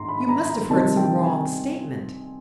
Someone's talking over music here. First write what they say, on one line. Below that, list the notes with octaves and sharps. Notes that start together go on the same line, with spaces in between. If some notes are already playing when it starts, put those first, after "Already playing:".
'You must have heard some wrong statement.
Already playing: G#2 A#5 C6
B5
B5
A#5
A#5
C3 D#3 G3 C4 D#4 A5
G5
G#5